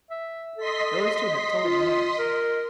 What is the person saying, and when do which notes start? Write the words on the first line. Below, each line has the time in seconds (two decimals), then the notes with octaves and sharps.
"Those two have told theirs."
0.10 E5
0.57 A4 D#5 C6 B6
1.64 F4
2.19 A#4